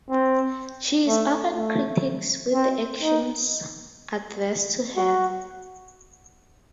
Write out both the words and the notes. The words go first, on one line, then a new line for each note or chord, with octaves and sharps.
She is often critics with the actions adverse to her.
C4
A3
A3
C4
D#4
F#4